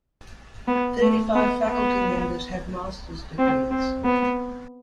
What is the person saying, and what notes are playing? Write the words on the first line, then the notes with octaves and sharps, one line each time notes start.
Thirty-five faculty members have master's degrees.
B3
A3
B3
B3
C4
C4
B3